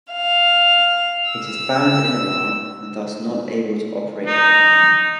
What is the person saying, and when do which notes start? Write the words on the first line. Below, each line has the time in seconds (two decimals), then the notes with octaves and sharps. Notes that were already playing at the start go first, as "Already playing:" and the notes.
It is banned in Iran and thus not able to operate openly.
0.11 F5
1.30 E6
4.26 D#4